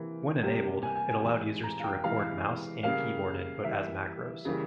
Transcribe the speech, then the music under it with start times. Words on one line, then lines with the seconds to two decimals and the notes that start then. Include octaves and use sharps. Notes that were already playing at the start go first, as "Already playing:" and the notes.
When enabled, it allowed users to record mouse and keyboard input as macros.
Already playing: C3 E3 A#3
0.42 C3 G3 A#3
0.83 G#5
0.96 G#5
1.09 G#5
1.23 C3 E3 G#3
1.64 A#5
1.79 F5
1.84 G5
2.04 C3 E3 G#3 F5
2.83 C#3 G3 A#3 F5
3.64 E3 G3 A#3 E5
4.45 C#3 E3 G3 A#3